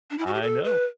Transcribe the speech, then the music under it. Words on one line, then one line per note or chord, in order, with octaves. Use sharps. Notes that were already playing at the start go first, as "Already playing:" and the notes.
I know.
D4
E4
F#4
G4
A4
B4